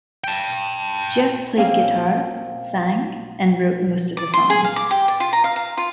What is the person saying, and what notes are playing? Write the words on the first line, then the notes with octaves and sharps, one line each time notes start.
Geoff played guitar, sang, and wrote most of the songs.
G5 A5
A#3 C4 C#4 F5 G#5
D5
C6
G#4
F5
D6
G4
D5
F4
A#5
F5
F5
F4